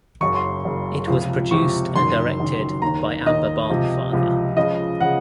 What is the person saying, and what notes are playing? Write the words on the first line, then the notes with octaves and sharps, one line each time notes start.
It was produced and directed by Amber Barnfather.
F#1 F#2 C#3 C#6
C6
F#1 F#2 C#3
C#2 C3 F3
C#2 C3 F3 C#6
F#1 F#2 D#3 C6
F#1 F#2 D#3
D#2 D#3 A#5
D#2 D#3 D#5
C#2 C3 F3
C#2 C3 F3
C#2 C#3 F3 D#5
C#3 F3 F#5